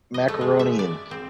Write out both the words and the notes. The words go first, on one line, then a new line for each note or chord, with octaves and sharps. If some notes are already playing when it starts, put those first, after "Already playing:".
macaroni and
D#5
A3
G#3
E5
D5
C4